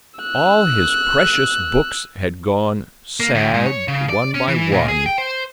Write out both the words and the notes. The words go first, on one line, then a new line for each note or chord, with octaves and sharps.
All his precious books had gone, sad one by one.
E6 F#6
A#3
D2
G#2
C#5
C#3
D5
C#4
E3
A#2
G#4
G5
C5